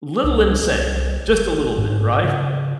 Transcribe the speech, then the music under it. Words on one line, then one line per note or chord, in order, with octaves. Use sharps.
Little insane, just a little bit, right?
C2
C2
G1
G#2
C#3